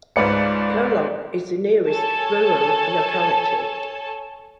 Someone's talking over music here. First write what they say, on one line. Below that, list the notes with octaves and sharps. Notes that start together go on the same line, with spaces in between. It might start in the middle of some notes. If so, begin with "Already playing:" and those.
Kolob is the nearest rural locality.
C#2 G#2 B4 D5 C#7
A4 C#5 G#5 A5